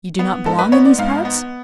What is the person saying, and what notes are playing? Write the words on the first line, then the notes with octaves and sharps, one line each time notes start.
"You do not belong in these parts?"
B3
G#2 A4
B4
B3 C#5
D5
G#2 F5
B3